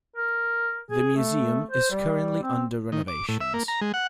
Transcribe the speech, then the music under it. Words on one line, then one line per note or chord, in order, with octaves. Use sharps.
The museum is currently under renovations.
A#4
G#4
A3
C5
G3
C4
D#3
D6
A2
E5
A#3
A#5
G#3
F#5